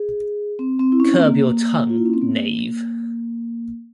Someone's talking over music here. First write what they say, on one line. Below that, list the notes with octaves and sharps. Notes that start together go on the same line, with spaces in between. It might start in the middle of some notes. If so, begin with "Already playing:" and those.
Curb Your Tongue, Knave!
Already playing: G#4
C4
C4
E4
C#4
C4
A#3
F4
E4
C#4
C4
A#3